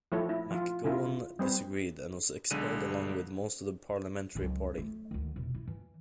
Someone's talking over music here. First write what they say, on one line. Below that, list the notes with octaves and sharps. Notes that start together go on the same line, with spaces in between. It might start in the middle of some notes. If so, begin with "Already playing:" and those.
McGowen disagreed and was expelled along with most of the parliamentary party.
F3 A3 E4 A4 C#5
E4
F3 F4
C#3 E4 F4
G3 C4 B4 C5
B1 D3 G#3 D#7
C#2 F#3
A3
D2 D#3
E1 C3
E4
E3